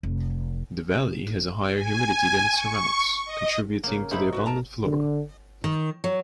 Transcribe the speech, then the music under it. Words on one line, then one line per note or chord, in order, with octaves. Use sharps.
The valley has a higher humidity than it surrounds, contributing to the abundant flora.
F1
G#5
C#6
D#5
C#3 A#3
G#2 D#4 E4 C5 E5 B5
F#4 A#4 B4
A#4 A5 A#5
D3
D#3
F#3